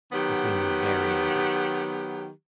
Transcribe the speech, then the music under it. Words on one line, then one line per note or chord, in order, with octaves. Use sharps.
This made me very angry.
D#3 F#3 B3 G4